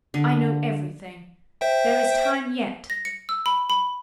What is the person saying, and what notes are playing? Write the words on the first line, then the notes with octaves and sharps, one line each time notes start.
I know everything. There is time yet.
D3
C5 E5 G5
A#6
C#7
E6
B5
B5